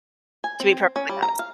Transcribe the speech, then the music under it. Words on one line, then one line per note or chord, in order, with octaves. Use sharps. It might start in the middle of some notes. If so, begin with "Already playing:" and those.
to be perfectly honest.
G#5
C4
C#4
G3
A#5
F5